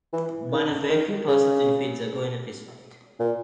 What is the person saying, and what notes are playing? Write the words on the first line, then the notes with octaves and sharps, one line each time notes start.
One of very few persons to defeat Zagor in a fistfight.
E3
D#3
D#3
C#3
A#2